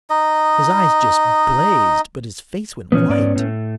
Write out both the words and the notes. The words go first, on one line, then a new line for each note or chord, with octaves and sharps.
His eyes just blazed, but his face went white.
D#4 D#5
A#2 E3 F3 B3 C#4
G#2 D5
A2 A3